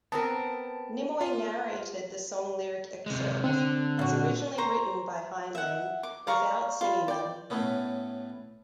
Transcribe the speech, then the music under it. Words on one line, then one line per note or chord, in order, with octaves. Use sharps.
Nimoy narrated the song lyric excerpts as originally written by Heinlein without singing them.
B3 C4 A#4 A5
F4
C3 G#3
D3 C4
A#2 F#4
C5 A#5 C#6
E5 F#5
D6
D5 F5 A#5 C#6
F4 B5
D5 G5
A2 A3 B3 C#4